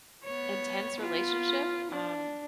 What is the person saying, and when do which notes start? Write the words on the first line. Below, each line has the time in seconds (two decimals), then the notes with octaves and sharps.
intense relationship, um
0.24 B3 C#5
0.96 B3 F4
1.91 D4